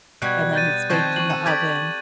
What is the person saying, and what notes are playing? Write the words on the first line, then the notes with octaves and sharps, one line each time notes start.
And then it's baked in the oven,
B2 G3 F#4 F#6 G#6
G6 A6 D#7
D#3 F3 C4 C#6 G#6 A6
A#3 C#6 F#7
A4
G4 D5 B5 G#6